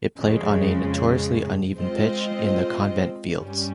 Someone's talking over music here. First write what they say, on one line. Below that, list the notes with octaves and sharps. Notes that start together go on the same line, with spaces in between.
It played on a notoriously uneven pitch in the 'Convent Fields'.
F2 C#3 G#3
G#3 C4 F4 C5 D#5
G2 G3 C#4